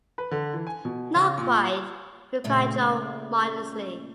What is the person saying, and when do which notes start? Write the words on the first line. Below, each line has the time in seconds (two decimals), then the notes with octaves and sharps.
"Not quite," replied Jo modestly.
0.18 B4
0.31 D3
0.53 E3
0.67 G#5
0.85 B2
1.16 C#3
1.38 A#2
2.44 A#2 C#3 A3